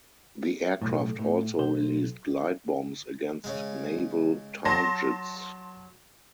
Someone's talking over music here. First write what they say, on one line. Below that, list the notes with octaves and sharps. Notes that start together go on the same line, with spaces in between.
The aircraft also released glide bombs against naval targets.
B1 A2
A2
B1 C5
C#3 G#3
F#3 A5 C6 A#6